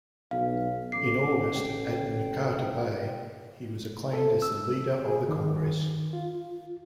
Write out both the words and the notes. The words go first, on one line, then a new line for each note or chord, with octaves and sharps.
In August, at Nkata Bay, he was acclaimed as the leader of the Congress.
B1 F5
A1 D6 C7
G5
A4
E6
G#4
D#3
F4